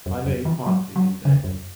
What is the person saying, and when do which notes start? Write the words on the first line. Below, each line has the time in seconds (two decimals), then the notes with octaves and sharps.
I lay quietly in bed.
0.06 F#2
0.26 F#2
0.45 E3
0.66 F#3
0.96 F#3
1.25 C#3
1.44 F#2